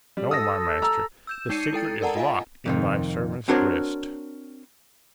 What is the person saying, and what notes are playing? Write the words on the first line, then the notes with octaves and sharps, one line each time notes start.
'No, my master: the secret is locked in thy servant's breast.'
G3
A4 D#6 E6 A#6
A#5 E6
E6 G6 E7
G#3 D#4 G6 C7 C#7 D#7
E4 A4 G5 A6
A4 A#4 D5 F#5 A5 A#5
F4 D#5 F5 G#5
F2 C3 D#3
C4 D4 F#4 A#4 C5 C#5